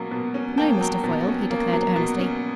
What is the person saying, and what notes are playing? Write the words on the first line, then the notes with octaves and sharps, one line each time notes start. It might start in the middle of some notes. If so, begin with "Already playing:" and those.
"No, Mr. Foyle," he declared earnestly.
Already playing: B2 F#3 A#3 C#4
B2
C#4
A#3 G5 A5
F#3
B2
C#4
A#3
F#3
B2
C#4